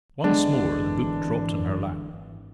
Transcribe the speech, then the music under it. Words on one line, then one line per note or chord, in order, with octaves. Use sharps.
Once more the book dropped on her lap.
G#1 D3 E3 G#3 B3 D4